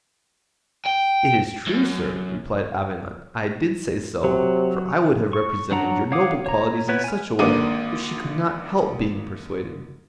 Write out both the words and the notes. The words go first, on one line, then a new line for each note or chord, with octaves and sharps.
"It is true, sir," replied Avenant, "I did say so, for I would have represented your noble qualities in such a way, that she could not help being persuaded."
G5
F#2
C3 F#3
C#6
F#3 D4 F#5 A#5
C#5 F5 F#5 D6 D#6
C#5 A#5
B3 E4 B4 C#5
G#5 F6
G#1 D3 A#3 D4 D6 D#7